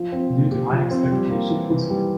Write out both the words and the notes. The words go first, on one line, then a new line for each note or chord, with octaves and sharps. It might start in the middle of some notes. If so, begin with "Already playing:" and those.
Due to High Expectations...
Already playing: F3
C4
A#2
G4
F3
C4
G3
A#3
E3
E3
G3